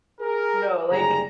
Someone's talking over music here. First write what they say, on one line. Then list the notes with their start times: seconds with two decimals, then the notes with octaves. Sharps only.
No, like
0.21 G#4 A#4
0.91 F#1 D2 G3 G#4 A#5